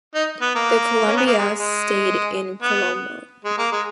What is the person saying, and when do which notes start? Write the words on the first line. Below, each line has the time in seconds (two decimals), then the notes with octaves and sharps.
The Colombia stayed in Colombo.
0.14 D#4
0.41 B3
0.55 A#3
1.07 C#4
1.17 B3
1.27 A#3
1.38 G#3
1.59 G#3
2.62 B3
3.44 G#3
3.58 A#3
3.72 G#3